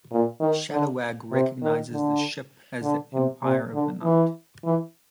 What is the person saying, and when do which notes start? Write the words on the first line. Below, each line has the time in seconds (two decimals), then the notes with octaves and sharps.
Scalawag recognizes the ship as the "Empire of the Night".
0.11 A#2
0.41 D#3
0.71 D3
1.32 C3
1.62 D#3
1.92 D3
2.83 D3
3.13 C3
3.43 C3
3.74 D3
4.04 E3
4.64 E3